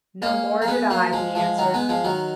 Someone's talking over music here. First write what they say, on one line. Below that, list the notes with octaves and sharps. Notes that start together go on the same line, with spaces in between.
"No more did I," he answered.
A#3 C#4
A#3
G#3 B3
F#3 A#3
F3 G#3
F3 G#3
D#3 F#3
G#3 B3
F3 G#3
D#3 F#3